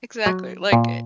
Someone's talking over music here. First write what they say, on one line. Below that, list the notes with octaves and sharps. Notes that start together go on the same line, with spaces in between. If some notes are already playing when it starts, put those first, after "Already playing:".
Exactly. Like,
F#3
A#2